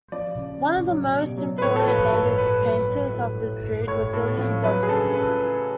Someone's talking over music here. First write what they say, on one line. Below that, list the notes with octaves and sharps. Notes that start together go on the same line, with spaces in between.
One of the most important native painters of this period was William Dobson.
F3 D5
C#3
C#3
F#3
B2
F#3
B4
A2 C#5
A4
F3 B4
A2
A2 B4
F#3
F#3
A2
A2
A2
A2 C#5
A2
F3
F#3 B4
G#4
C#3 A4
C#3 B4